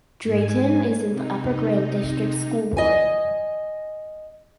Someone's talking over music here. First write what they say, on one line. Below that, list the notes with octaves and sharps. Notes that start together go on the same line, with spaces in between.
Drayton is in the Upper Grand District School Board.
G#2 G#5
C3 D#4
D#5 G#5